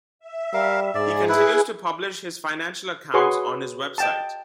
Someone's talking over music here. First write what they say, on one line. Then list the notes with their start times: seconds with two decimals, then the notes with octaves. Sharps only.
He continues to publish his financial accounts on his website.
0.19 E5
0.53 G3 A#4 F5
0.95 G#2 G#4 D5
1.29 E4 B4
3.14 F#4 G#4 B4 C#5 C6 C#6
3.98 D#5 G5 A5